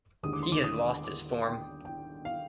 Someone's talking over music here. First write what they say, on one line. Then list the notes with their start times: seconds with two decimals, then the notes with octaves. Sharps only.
He has lost his form.
0.23 D#2 D3 G#3 D#6
0.33 D6
0.43 C6
0.52 D6
0.64 D#6
1.04 D6
1.44 G5
1.85 G5
2.25 F5